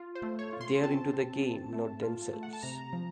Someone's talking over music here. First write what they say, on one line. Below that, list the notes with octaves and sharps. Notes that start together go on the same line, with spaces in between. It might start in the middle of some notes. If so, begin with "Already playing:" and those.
They're into the game, not themselves.
Already playing: F4
C5
A3
C#5
F4
C6
C4 A5
C4
C4
A3
F4
A3
F#5
A5
C3 A#5
F3